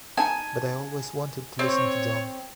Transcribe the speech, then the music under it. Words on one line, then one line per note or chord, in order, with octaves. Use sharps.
But I always wanted to listen to John.
D#4 G#5 A5
C4 C#5